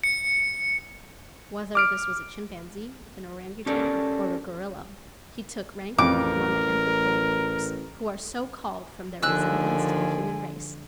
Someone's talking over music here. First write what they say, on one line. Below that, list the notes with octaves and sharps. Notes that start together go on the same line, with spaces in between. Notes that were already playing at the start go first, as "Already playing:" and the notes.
Whether this was a chimpanzee, an orangoutang, or a gorilla, he took rank among the anthropoid apes, who are so called from their resemblance to the human race.
C#7
D6 F6 D7
C#4 G4 A4 A#4 D5
A1 F2 A#4 D6
D#2 D3 F3 G#5 E6 F#6